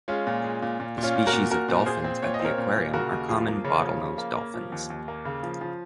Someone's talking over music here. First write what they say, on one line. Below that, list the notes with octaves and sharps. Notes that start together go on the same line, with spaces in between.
The species of dolphins at the aquarium are common bottlenose dolphins.
G#3 C#4 F4
A#2
G#3
A#2
A#2
A#2
C#4 F4
A#2
F#4 A#4
A#2
A#2 F#4 A#4
A#2
A#2 G#4 C5
C4
A#2 C#5
D#5
C4
A#4 C#5
A#2
A#2
C#3 F#4 A#4
D#2
F3 F4 G#4
A#3
C#3 C#4 F4
F3
C#3
A#3
A#3
F3
D#2
D#2
A#3
C#3
F3
F3